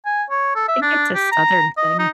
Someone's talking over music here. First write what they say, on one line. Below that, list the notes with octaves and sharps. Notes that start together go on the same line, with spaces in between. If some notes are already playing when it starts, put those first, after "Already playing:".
I think it's a Southern thing.
G#5
C#5
A4
E5
D4
G4
A#5
D#5
D#4